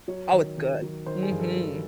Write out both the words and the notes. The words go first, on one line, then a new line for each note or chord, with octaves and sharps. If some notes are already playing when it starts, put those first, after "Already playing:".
Oh, it's good. Mhm.
F#3 C#5
D#3
D#3
F#3
D#3 C5
G#4
G2
A4
F#3